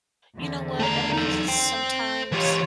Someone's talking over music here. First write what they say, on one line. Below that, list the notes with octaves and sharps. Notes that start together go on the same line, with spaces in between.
you know what? I mean, d sometimes
E2 D3
A3 A#5
D#4 A4
C5 G5
E3 F4 G4 C#5